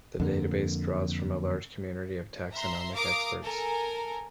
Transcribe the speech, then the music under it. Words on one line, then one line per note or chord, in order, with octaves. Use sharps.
The database draws from a large community of taxonomic experts.
F2 D3 A#3
E5 A#5 C6
A#4 F5 A#5 D6 D#6 D7
A4 A#4 G#5